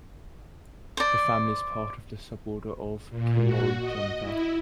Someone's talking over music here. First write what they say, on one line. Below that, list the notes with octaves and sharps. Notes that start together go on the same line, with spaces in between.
The family is part of the suborder of Cimolodonta.
C5 D5
A#2
F#4
D#5
E4